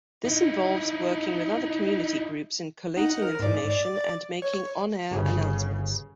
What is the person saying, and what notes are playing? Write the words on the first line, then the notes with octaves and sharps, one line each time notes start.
This involves working with other community groups in collating information and making on-air announcements.
D#4 E4
D#4 F#5
A#4
G#2 D5
D5 A6
C#5
G1 C#3 G#4